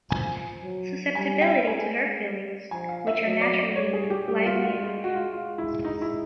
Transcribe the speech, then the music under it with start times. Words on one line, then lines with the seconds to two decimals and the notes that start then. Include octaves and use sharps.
Susceptibility to her feelings - which are naturally lively enough.
0.10 F3 G#5
0.63 F#3
1.15 G3 G#5
1.41 G5
1.67 G#3 G#5
2.20 G3
2.71 F3 G#5
2.89 F5
3.07 E5
3.23 F#3 D#5
3.41 D5
3.58 D5
3.76 G3 C#5
3.93 G#4
4.10 G4
4.28 G3 G4
4.46 F4
4.54 F#4
4.63 F4
4.80 G#3 F4
5.04 F#4
5.15 F4
5.32 G#3 F4
5.58 E4
5.85 D#4
6.02 E4